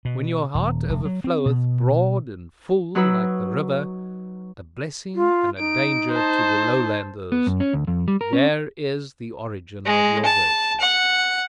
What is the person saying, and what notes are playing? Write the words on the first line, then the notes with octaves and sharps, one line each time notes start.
When your heart overfloweth broad and full like the river, a blessing and a danger to the lowlanders: there is the origin of your virtue.
B2
D#1
F1
F#3
C4
B2
F#3 D#4 F#4 B4 E6
F4
D#4 D7
C5 A5
B3
F#2
C#4
D2
F2
G3
A#4
C#4
G#3
A5
F#5